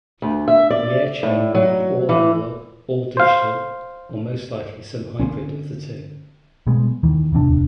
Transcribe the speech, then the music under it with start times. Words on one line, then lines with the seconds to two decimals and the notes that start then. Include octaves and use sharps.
The airchain may be all-analogue, all-digital, or most likely some hybrid of the two.
0.22 D2
0.48 E5
0.71 D5
1.23 A2
1.55 F#3
2.09 E3
3.17 C5 F5
5.20 D3 C4 C#4
6.67 B2 G3 G#3 B3
7.03 D#2 D#3 E3
7.32 D1 E2 C3 D4